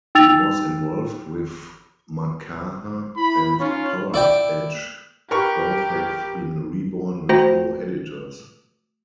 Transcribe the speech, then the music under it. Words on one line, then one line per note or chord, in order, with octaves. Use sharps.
He was involved with Makaha and "Poweredge"; both have been reborn with new editors.
D#4 G5 E6 A6 F7
E4 B5
C#4 D#4 F4
E4 D5 G5
G4 A#4 B4 C#6
A3 F#4 C5 G5 A#5 A#6